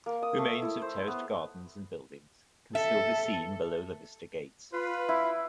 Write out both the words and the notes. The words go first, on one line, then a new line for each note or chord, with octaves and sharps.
Remains of terraced gardens and buildings can still be seen below the Vista gates.
A#3
D#6
A3
E4
C5
B3
A4 E5
F4 B4
E4